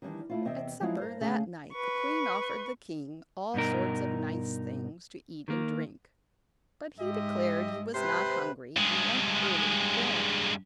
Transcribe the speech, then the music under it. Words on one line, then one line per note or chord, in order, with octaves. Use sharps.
At supper that night the queen offered the king all sorts of nice things to eat and drink, but he declared he was not hungry, and went early to bed.
D#3 E3 G3 D4
A3 E4 F4
E2 C3 C4 D#5 E5 G5
F3 F#3 G#3 C4 E4
G2 A#4 C5
D2 C#3 A3 D4 G#4
B4 C#6
G2 B2 D#4 A#4
D#3 A#3
G#2 G#3 G4 D#5 E5
C3 B4 C5
G2 G#3